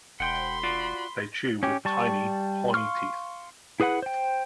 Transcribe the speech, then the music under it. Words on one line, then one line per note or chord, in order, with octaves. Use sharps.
They chew with tiny, hornyteeth.
E1 F#5 G5 B5 C6
F4 F#4 D5
C#4 G4
G3 A5 C#6
F5 C6 C#6 F6
E4 G#4 B4 F#5 B5
C5 G5